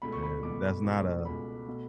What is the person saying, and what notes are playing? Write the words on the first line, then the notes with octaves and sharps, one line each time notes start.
and, that's not a
C#2 B2 A3 B5
C#6
B5
C#2 B2 A3 D6
C#2 B2 A3
C#2 B2 A3 B5
B2 A3